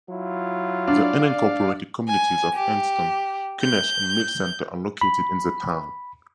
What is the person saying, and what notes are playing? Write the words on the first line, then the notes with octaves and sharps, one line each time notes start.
The unincorporated communities of Anston, Kunesh, and Mill Center are located in the town.
F#3 E4 F4
D4 D5 F5
G#5
G4
G6
B5